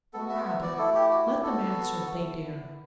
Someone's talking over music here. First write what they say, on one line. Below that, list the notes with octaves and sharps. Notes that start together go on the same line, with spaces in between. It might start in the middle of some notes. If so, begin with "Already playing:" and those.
Or, rather, let them answer if they dare.
B3 F#4 A4
E5
E5
D5
A3 E4 A4
G4
F#4
G4
B3 F#4 A4
B3 E4